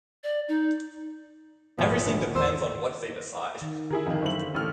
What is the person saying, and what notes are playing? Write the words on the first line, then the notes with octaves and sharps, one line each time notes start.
Everything depends on what they decide.
D5
D#4
D#1 G#1 F3 B3
D3
E2 C5 E6
D#3
D3 E4 G#4 A#4
F2 D#3 F5
F#1 D3 C5 E5 F#7
A1 A3 D4 E4 F6